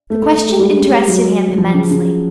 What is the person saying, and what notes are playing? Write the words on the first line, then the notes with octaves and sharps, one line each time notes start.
The question interested him immensely.
A3
A3
A3
G#3
G3
F#3
F3
C#3
C#3